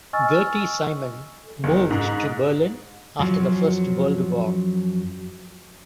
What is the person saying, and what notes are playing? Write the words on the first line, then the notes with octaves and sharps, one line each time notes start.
Gerty Simon moved to Berlin after the First World War.
D#5 G#5 C#6 E6 F6 A6
F#1
G#2
F#2 F3 F#3